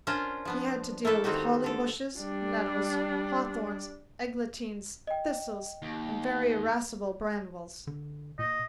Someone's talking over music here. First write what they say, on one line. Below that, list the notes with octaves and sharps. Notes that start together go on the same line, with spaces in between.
He had to deal with holly bushes, nettles, hawthorns, eglantines, thistles, and very irascible brambles.
C#4 D4 F4 A#4 C5
F3 B3 D4
A3 A#3 E4 A4
D#3 C4 D#4 F#4 G4
D3 A4
G3 D4
D#5 G5
D#2
D3
A#2 D#5